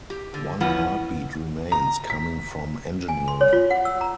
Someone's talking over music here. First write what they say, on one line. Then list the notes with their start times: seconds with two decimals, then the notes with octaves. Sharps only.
One heartbeat remains, coming from Engineering.
0.10 G4
0.34 D3
0.60 E3 F3 B3 C#4 E4 F#5
1.72 A#5
2.10 B6
3.08 G#5
3.28 C6
3.41 C#5
3.53 F4
3.70 F#5
3.85 E6
4.01 A#5